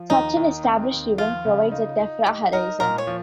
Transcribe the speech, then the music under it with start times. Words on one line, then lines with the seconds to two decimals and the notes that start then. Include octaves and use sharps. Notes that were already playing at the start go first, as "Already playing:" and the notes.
Such an established event provides a "tephra horizon".
Already playing: F3
0.10 D#2 D#4
0.37 D#2
0.64 C4
0.91 D#2
1.18 F3 F4
1.45 C#3
1.71 D#4
2.00 D#4
2.26 D#4 G4
2.53 D#4 A#4
2.80 A#2 A#4
2.98 C#5
3.07 F3